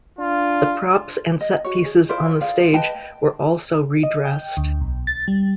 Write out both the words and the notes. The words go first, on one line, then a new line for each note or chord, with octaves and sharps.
The props and set pieces on the stage were also redressed.
D4 F4
D#5
F#4 C#5
G#4
E4 F4 C5 D5
G#4 D5 F5
B4 D#5 G5 A5
D#5
G5
D2
B1
A6
G3